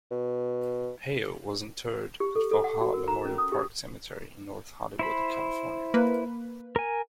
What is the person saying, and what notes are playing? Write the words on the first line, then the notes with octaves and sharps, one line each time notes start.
Hale was interred at Valhalla Memorial Park Cemetery in North Hollywood, California.
B2
G4
A4
A4
F#5
F#4
A#4
A#5
C#4
D#6
G4
E4 C5 B5
A#3 B4
A#4 G#5